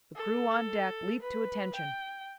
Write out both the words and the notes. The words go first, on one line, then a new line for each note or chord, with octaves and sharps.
The crew on deck leaped to attention.
A4
B4
G5